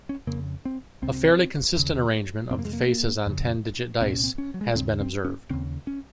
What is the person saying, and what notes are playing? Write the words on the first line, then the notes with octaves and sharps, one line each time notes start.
A fairly consistent arrangement of the faces on ten-digit dice has been observed.
C#4
F2 C#3 A#3
C4
C2 C3 C4
D#2 C#3
F2 C3 C4
A#3
G#3
A#3
F2 C#3
C2 A#2 C4
C#4
C4
C#4
F#3
G#3
A#3
D#2 C#3 C4
C4
C#4
D#2 C#3 C4
C#4